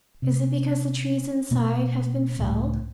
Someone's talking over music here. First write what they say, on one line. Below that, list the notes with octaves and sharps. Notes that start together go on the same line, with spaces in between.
Is it because the trees inside have been felled?
C3
B2 A#3 B3
C#2 A2 A3